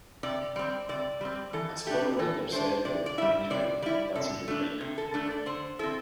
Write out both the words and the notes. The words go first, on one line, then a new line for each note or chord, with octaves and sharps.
As Horne later said in the documentary That's Entertainment!
C3 D5
G3 C4 D5
C3 D5
G3 C4
E3 A4
A3 D4 G4
E3 A4
A3 D4 C5
C3 D5
D5
G3 E4 E5
C3 D5
G3 E4 D5
C3 A4
A3 D4
C3
A4
A3 D4 A4
D5
D3 C5
C4 E4 A4